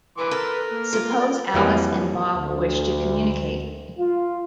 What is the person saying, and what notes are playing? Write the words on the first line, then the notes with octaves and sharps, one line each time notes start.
Suppose Alice and Bob wish to communicate.
E3 B4 C6 D6
A4 A#4
A#3
F4
D5
F2 E3 F#3 G3 A#3 G#4
D2
F4